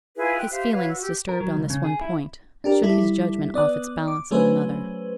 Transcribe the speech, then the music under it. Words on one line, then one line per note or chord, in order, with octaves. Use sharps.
His feelings, disturbed on this one point, shook his judgment off its balance on another.
E4 F4 G#4 B4
G5 F#6
G4 C5 E5 F5
F#4 B4 C#5 F5
F#4 E6
G4
A#4
F#3
C#2
C#3
G#4
E4
D4 G4 A#4
G3 E4 A4
B3 D5 D#6 F#6
D6
F#3 A3 C#4 G#4 B4 C5